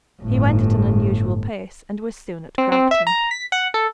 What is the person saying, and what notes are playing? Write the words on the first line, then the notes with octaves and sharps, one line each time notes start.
He went at an unusual pace, and was soon at Crampton.
G1 A2
C4
C4
E5
A#5
B6
F#5
A4